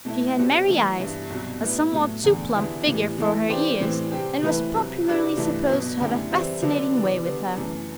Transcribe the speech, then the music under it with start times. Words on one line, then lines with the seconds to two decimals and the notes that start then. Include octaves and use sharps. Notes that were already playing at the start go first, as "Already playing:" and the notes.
She had merry eyes, a somewhat too plump figure for her years, and was popularly supposed to have a fascinating way with her.
0.05 B2 A3 E4
0.36 B2 G3 C4 F#4
0.67 E3 A3 E4
0.98 G2 E3 B3 E4
1.30 C2 B2 F#3
1.60 A2 G3 B3 E4
1.92 A2 F#3 A3
2.24 E2 D3 A3
2.55 E2 D3 G3 B3 E4
2.87 A2 E3 G3
3.18 E3 A3 E4 A4
3.49 E3 B3 D4 G4 C5
3.80 A2 E3 G3 C4
4.12 C3 G3 C4 G4
4.43 E3 A3 E4 B4
4.74 C2 C3 F#3
5.06 C3 G3 D4 F#4 B4
5.37 G2 E3 A3 E4
5.68 B2 F#3 B3
5.99 F#2 D3 A3 E4 G4
6.31 E3 G3 C4 E4
6.62 D3 F#3 B3 D4 A4
6.94 C3 E3 B3 D4
7.25 D3 G3 B3
7.57 F#2 E3 A3